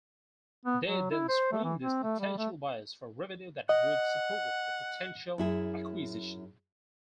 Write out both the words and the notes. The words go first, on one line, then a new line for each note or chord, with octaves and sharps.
They then screen these potential buyers for revenue that would support the potential acquisition.
B3
F#3
E4
C5
A3
E3
C4
A3
G3
A3
D#5 F#5
F#2 E4 G#4